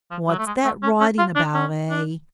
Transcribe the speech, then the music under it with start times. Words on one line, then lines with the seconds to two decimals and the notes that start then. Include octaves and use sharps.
'What's that writing about, eh?'
0.11 F3
0.29 F#3
0.38 A3
0.47 G#3
0.65 A3
0.83 C#4
1.01 C#4
1.19 F4
1.36 D4
1.54 C#4
1.90 D4